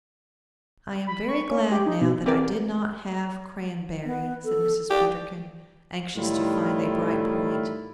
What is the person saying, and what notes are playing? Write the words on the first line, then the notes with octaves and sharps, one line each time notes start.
"I am very glad now that I did not have cranberry," said Mrs. Peterkin, anxious to find a bright point.
B5
C#6
C#4
G4
D#4
B2
C4 G4 G#4 A#4 B4 D5
B3
A4
G4 D5
A2 D#3 G3 A3 E4 F4